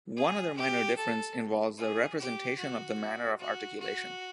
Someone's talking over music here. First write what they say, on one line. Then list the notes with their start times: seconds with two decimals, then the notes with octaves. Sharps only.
One other minor difference involves the representation of the manner of articulation.
0.16 G#4
0.57 G4
0.97 A4
1.78 G#4
2.18 G4
2.58 F#4
3.39 F#4
3.79 F#4